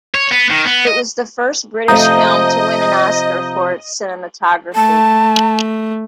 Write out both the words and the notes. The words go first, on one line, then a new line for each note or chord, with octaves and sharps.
It was the first British film to win an Oscar for its cinematography.
C#5
B3
D#3
B3
D#5
C3 F3 A3 D#5 A#5 D#6 G6
A3 A5